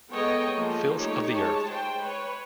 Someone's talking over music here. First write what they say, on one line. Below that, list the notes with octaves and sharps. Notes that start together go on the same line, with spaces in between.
Filth of the earth!
G#3 B3 A4 C#5 D#5 G5
F3 G#3 A#3
A3 D#4 G4 C#5
G#3 C#5 A5
C5 G5
B4 C#5